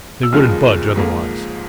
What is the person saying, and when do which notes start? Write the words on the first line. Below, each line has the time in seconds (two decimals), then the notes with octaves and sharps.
They wouldn't budge otherwise.
0.23 E6
0.32 D#2 C#3 F3 G#3 F6
0.96 G#2 F3 A#3